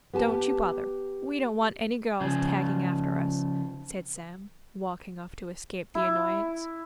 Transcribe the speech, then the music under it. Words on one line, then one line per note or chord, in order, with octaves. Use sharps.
"Don't you bother; we don't want any girls tagging after us," said Sam, walking off to escape the annoyance.
B3 G4 G#5 A5
C#3 F3
E4